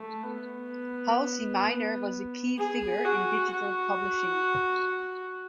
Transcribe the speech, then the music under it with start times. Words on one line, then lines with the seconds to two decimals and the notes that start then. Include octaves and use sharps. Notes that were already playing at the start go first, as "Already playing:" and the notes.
Halsey Minor was a key figure in digital publishing.
Already playing: A3
0.23 B3
2.58 G#4
3.05 F#4
3.51 F#4